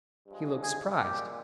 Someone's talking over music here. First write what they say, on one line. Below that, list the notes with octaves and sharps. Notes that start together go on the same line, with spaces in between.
He looked surprised.
G2 F3 G#3
G#4
A#2 G#3 G4